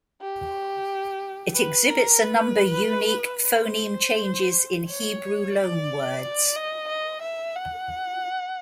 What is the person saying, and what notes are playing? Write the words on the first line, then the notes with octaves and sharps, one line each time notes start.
It exhibits a number unique phoneme changes in Hebrew loanwords.
G4
B4
A#4
B4
C5
C#5
D5
D5
D#5
D#5
E5
F#5